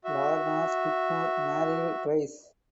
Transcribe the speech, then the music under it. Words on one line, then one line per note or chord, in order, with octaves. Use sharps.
Lorna Skidmore married twice.
F#4 E5